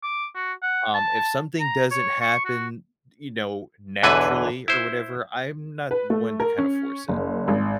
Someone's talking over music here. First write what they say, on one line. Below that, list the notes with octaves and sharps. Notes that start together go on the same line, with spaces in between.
um, if something doesn't happen, you know, naturally or whatever, I'm not one to kinda force it.
D6
F#4
F#5
A5
A#5
C#5
C#6
F#4
B1 E2 D3 E3 B4 G#5
E4 C5
B4
A3
A#4
C#4
F#1
G#1